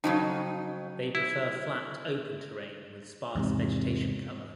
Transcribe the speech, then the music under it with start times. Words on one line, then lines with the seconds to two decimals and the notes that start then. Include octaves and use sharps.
They prefer flat, open terrain, with sparse vegetation cover.
0.04 F2 C#3 F#3 D#4
1.15 E4
3.35 E2 G#2 C3